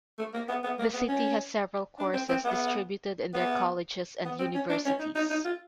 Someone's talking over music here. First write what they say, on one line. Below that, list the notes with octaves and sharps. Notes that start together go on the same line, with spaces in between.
The city has several courses distributed in their colleges and universities.
A3
A#3
B3
B3
A#3
B3
C#4
D4
C4
C4
B3
B3
B3
C4
C#4
D4
C#4
D#4
D#4
D#4
F4